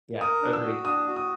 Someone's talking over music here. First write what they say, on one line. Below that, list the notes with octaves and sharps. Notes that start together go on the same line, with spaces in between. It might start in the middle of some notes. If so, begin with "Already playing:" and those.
Yeah. Agreed.
A#4 D#6
D4
E6
F#4
D4 D#6
F#4
D#6